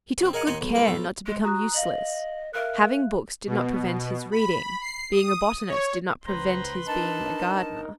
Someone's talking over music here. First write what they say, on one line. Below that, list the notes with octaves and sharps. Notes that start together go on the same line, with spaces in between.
He took good care not to become useless; having books did not prevent his reading, being a botanist did not prevent his being a gardener.
F3 C4
G#4 A#4 D#5 F5 F#5 G#5
D#2 D#4 D#5 F#5 G#5 C6
B1
C2 G#2 B4 B5
B1 F4 E5
G#3
F#4 A#5 D#6 F#6
D#5 F5 F#7
A#4 E5 F5 F#6
B2
B5
C7
D#6
C#5
C#2 B4 C5 A#5 C6
D4 D#4 A#4 A5